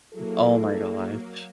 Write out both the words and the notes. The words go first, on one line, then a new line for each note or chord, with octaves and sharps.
Oh my gosh.
F#3 A#3 E4 G#4 A4